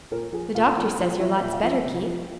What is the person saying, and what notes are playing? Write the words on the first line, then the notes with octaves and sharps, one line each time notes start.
"The doctor says you're lots better, Keith."
A#2 A#4
F3 G#4
A#2 F5
F3
A#2
F3 E5
A#2 E5
F5
F3 E5
C3
F3